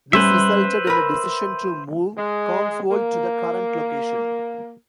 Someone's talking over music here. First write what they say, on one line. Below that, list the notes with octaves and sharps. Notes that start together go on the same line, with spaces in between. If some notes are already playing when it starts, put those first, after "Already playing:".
This resulted in a decision to move Kongsvold to the current location.
G3 C#4 B4 C5 E5
A#4 B5
G#3
A#3